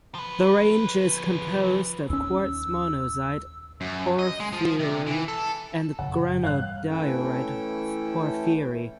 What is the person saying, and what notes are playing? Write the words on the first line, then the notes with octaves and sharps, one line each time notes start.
The range is composed of quartz monzonite porphyry and granodiorite porphyry.
F3 B4
D#2 C#4 E6
F#2
D#5
G#3
F3
C3
E3
A4
F#1 F2 A#2 F#5
G2 E3 G3 F5 F#6
E3 A3 C#4 E4 A4 G5